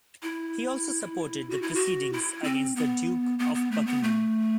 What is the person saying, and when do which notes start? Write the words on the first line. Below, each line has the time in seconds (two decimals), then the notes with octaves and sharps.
He also supported the proceedings against the Duke of Buckingham.
0.23 E4
1.50 F#4
1.62 E4
1.75 F#4
2.13 E4
2.44 C4
2.76 B3
3.39 B3
3.55 B3
3.72 A3
3.87 B3
4.03 A3